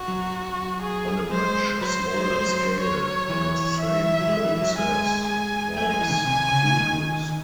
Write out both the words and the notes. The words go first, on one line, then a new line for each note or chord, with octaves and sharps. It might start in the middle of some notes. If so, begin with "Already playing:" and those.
On a much smaller scale, the same process forms hoodoos.
Already playing: F#4
F#3
G#4
G#3 C5
F#3 C5
F#3
F#3
G#3
F#3
C#5
E3
E5
F#3
G#3
E3
F#3
G#3 G#5
G#5
A3 G#5
G#3
E3
C#3
D#3
C3
C#3
D#3